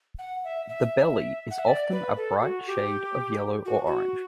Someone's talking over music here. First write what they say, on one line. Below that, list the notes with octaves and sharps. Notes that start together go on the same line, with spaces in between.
The belly is often a bright shade of yellow or orange.
F#5
E5
E5
F#5
E5
D5
B4
A4
F#4
G4
F#4
F#4